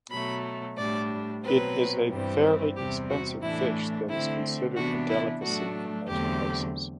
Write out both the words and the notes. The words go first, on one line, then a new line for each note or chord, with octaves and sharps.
It is a fairly expensive fish that is considered a delicacy in most places.
B2 F#3 A3 B5
A2 G3 D4 D5
B2 F#3 C4 B4
G2 E3 G3 C4
E2 C3 G3 C4 G4
F#4
A2 E3 A3 D4 E4
D3 A3 C4 E4
C3 E3 B3 D4 F#4
E4
A2 F#3 A3 D4 F#4
E2 D3 F#3 A3 C4 G4